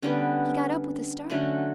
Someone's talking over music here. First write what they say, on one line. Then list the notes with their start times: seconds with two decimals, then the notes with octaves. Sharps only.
He got up with a start.
0.02 D3 G3 B3 C#4
1.30 D3 F#3 A3 C#4